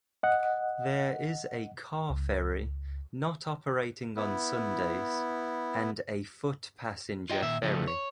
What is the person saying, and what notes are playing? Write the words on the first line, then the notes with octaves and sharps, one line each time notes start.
There is a car ferry, not operating on Sundays, and a foot passenger ferry.
D#5 F#5
C#2
B3 E4
F4 D#5 G5
A#2 D#3 E5
C#3 F3 G3 A3
C#5